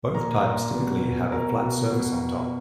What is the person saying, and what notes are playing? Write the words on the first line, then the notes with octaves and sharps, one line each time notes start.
Both types typically have a flat surface on top.
A#2 A#4 A#5
A#2
B2
B2
B2 A#4 A#5
B2
B2